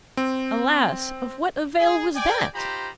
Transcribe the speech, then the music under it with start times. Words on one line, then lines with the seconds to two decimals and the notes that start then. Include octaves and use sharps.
Alas! of what avail was that?
0.17 C4
1.79 G#4
2.14 D5 G5 G#5
2.53 D#4 F4 G4 C5 A#5 B5